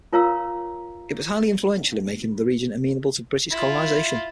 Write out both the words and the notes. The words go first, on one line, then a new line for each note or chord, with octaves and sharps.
It was highly influential in making the region amenable to British colonization.
F4 A#4 C#5 F5 A#5 E6
E4 F4